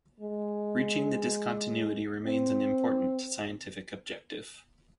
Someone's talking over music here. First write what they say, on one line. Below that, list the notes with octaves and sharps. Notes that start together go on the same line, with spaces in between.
Reaching the discontinuity remains an important scientific objective.
G#3
C4